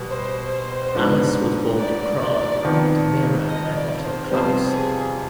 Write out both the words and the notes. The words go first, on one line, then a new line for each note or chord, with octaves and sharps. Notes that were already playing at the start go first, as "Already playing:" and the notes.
Alice was born in Prague to Mira and Otto Klaus.
Already playing: B2 G3 B3
C5
G#2 F3 B3 D4
D5
F2 D#3 B3
D#5
D5
C5
F2 C3 G3 B3 C5
G#4